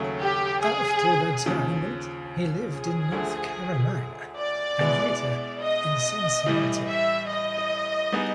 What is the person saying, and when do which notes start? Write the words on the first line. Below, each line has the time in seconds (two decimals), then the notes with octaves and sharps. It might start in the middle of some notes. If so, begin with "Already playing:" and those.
After retirement he lived in North Carolina and later in Cincinnati.
Already playing: D#2 C#3 F#3 A3
0.21 G4
0.63 G#4
1.46 D#2 C#3 F3
2.71 G#4
3.12 D2 D3 F3 A3
4.37 D5
4.79 B2 G#3 B3 E4
5.63 D#5
6.46 A2 E3 G3
6.87 E5
7.29 D#5
8.12 G3 B3 D#4 G#4